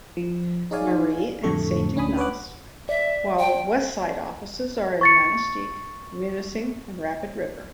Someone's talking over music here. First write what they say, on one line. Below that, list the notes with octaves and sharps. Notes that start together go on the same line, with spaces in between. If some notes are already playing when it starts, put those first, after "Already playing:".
Marie and Saint Ignace, while Westside offices are in Manistique, Munising, and Rapid River.
F3
D#4 G#4 C#5 D5 F5 G#5
F2 A2 D3 A3 A4 C#6
D2 C#4 D4 G#5 B5 D#6
B4 C#5 F#5 D6 F#6
D5 E5
G5
C#6 A6 C#7